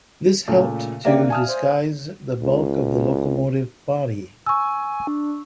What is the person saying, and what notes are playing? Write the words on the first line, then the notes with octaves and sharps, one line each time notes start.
This helped to disguise the bulk of the locomotive body.
A#2 C#3 A3
D3 A#3 G4 D5 E5 F5
G#5 A5 D#6 F6
C5
C#2
G#5 C#6 E6
D4